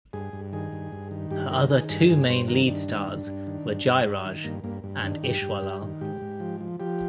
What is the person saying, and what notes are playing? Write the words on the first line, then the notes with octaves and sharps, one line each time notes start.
Her other two main lead stars were Jairaj, and Ishwarlal.
G2 G#4
G2
D#3 G#4
G2
G2
D#3
G2 G4
D#3 A#4
D#3 G#4
G2 G#4
G2 G#4
G2 C5
D#3 A#4
G2 D4
D#3
G2
G2
D#3
G2
G2
G2
D#3
G2 A#3
G2 A#3
G2
D#3 D4
G2 G4
G2
G2
D#3
G#2 G4
G#2
F3
F3
F3 G4